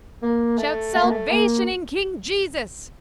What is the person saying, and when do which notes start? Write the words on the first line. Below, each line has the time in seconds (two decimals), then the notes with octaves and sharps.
Shout salvation in King Jesus.
0.23 A#3
0.58 A3
0.95 A3
1.03 A#3
1.11 A3
1.31 A#3